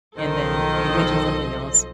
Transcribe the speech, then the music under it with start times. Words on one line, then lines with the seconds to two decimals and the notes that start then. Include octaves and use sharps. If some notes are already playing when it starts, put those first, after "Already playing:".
And then you mentioned something else
0.18 B1 D#3 F3 A4 C5 D#5